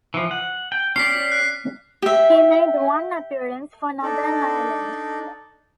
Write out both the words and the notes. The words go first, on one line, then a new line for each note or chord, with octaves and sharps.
He made one appearance for Northern Ireland.
E3 F3
F#5
G5
C#4 G4 D5 B6 C7
F#6
G4 E5
D4 D#4 A4 D5